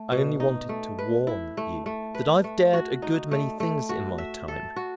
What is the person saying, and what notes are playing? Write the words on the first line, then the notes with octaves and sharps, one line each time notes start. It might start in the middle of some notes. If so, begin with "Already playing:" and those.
I only wanted to warn you that I've dared a good many things in my time.
Already playing: A3
B2
D#4
A3
B4
E4
A3
A3
B4
A3
F#4
D#4
A3
A3
F#4
E5
A4
F#4